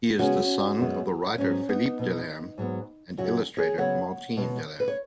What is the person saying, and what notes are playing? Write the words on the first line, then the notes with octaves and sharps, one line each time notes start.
He is the son of the writer Philippe Delerm and illustrator Martine Delerm.
C#3 G#3 B3 C#4 F#4
F#2 D#3 G#3 B3
G#2 F#3 B3 C#4
B3 D#4
B2 F#3 B3
G#2 F#3 B3
F#2 C#3 F#3 C#4 F#4
G#4 C#5
C#3 F#3 B3 C#5 F#5
B2 G#3 B3
B4
C#5